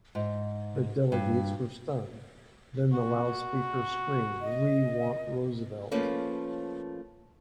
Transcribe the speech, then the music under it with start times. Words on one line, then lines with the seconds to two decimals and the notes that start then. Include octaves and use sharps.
The delegates were stunned; then the loudspeaker screamed We want Roosevelt...
0.15 G#2
1.12 G2
2.93 F#4
4.41 D#5
5.91 F3 A3 A#3 C#4 B4